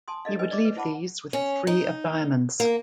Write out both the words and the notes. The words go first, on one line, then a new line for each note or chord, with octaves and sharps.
He would leave these with the three of diamonds.
G#5 A5 C6 D#6
D4 A4 D#5 F5
B4 C5 D#5 G#5
D5 D#5 D6
B4
E4 C5 F#5 A5 B5 D6
C#4
D#4
A#3